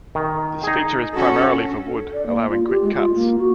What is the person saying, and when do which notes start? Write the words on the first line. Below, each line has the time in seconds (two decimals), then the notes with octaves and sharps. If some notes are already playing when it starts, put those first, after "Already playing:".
This feature is primarily for wood, allowing quick cuts.
0.15 D#3
0.63 D#4 G#4
1.13 C#4 F#4 A4
1.70 D4
1.87 A4
2.13 D5
2.26 A#3
2.49 F4
2.68 G4
2.83 G#3
2.95 F4
3.15 A#3
3.39 F#4